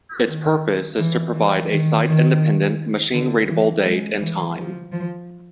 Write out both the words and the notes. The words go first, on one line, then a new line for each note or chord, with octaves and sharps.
Its purpose is to provide a site-independent, machine readable date and time.
D#3
E3
E3
D#3
D#3
D3
E3
G#3
E3
F3
F3